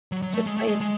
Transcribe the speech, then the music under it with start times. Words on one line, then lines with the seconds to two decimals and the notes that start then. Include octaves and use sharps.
just saying
0.12 F#3
0.22 F#3
0.34 A3
0.46 G#3
0.57 A3
0.67 G#3
0.81 G#3